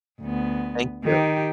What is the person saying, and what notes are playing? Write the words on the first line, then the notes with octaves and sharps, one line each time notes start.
Thank you.
D2 B3
D#3 G4